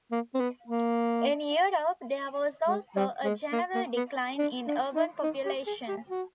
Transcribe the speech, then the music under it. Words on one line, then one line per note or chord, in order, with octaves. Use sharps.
In Europe there was also a general decline in urban populations.
A#3
C4
B3
A#3
G#3
G3
G#3
A#3
A#3
B3
D4
D4
D#4
D#4
G4
G#4
G4
F#4